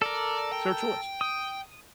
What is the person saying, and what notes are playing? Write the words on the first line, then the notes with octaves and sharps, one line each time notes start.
It's her choice.
A4 A#4 D5
G5
D#6